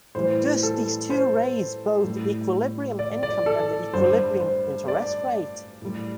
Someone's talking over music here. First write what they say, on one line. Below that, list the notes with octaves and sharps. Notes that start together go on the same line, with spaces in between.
Thus these too raise both equilibrium income and the equilibrium interest rate.
A2 E3 G3 C5
A4
C5
A2 G3
D5
D5
A4
G2 D3 G3 C5
C5
D5
A2 G3